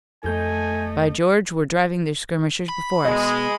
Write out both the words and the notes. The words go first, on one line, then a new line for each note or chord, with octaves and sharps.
By George, we're driving their skirmishers before us!
F2 A3 A4 D#5 G#5 G6
B5
B2 G#3 D#5